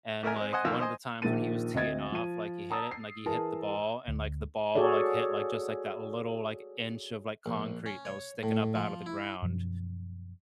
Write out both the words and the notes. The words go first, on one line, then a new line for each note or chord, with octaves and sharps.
and, like, one of the times when he was teeing off, like, he hit it, and, like, he hit the ball, and, like, the ball, like, hit, like, just, like, that little, like, inch of, like, concrete that was sticking up out of the ground,
A1 A3 A#4 G#5
G#3 C4
C5 D#5 F#5 G#5
C2 D#3 F3 A#3 E6
C5 D#5 G#5
A#1 A#2 D#3 A#3 A6 D#7
D2 C4 D#5 G#6 A6
F3 D#7
A5 A#5 D#6 E6 A6
C7
E3 G#4 A#4 A5
D2
F#4 G#4 A4 C#5 D5
A#1
C#4
C#5
A2
F3
E4
F#2 B2 F3